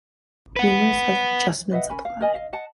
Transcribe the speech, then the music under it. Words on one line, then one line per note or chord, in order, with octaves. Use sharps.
Numerous other adjustments apply.
B4 F#5
B4 D#5 E5 F#5
C#4 A#4 G#5 B5
F5
A#4 D5 D#5 G#5
D#5 F5
D#5 F#5 A5